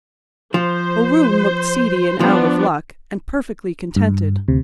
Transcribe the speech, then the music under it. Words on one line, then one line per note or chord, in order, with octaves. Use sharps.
O'Roon looked seedy and out of luck and perfectly contented.
F3 C5
F3 B3 D4
G2
D2 C3